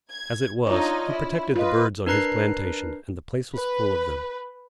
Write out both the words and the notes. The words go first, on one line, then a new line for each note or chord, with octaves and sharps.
As it was, he protected the birds on his plantation, and the place was full of them.
G#6
D4 D#4 F4 C#5 D#5
E4
F4 B4 D#5
D4 A#4 B4 A#5 F#6 C7
B4